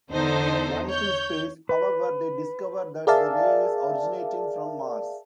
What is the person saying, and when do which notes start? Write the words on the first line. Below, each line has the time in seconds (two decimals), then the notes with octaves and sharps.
Once in space, however, they discover that the ray is originating from Mars.
0.11 E2 D3 D#4 A4 C5
0.88 C#5 G6
1.69 B4
3.07 G#4 A#4 D5 E5 F5 A5